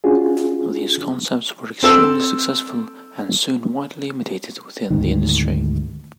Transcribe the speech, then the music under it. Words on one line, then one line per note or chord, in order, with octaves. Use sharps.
These concepts were extremely successful and soon widely imitated within the industry.
C#4 D4 F4 F#4 G#4
C4 A4 E6
D2 G#2 D#3